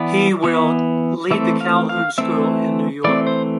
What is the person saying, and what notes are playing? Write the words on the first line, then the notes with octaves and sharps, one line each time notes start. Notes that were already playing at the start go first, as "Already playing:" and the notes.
He will lead The Calhoun School in New York.
Already playing: E3 B3 D5
E3 B3
E3 A3 C4 E5
F5
F5
E3 A3 C4 E5
E3 A3 C4 D5
C5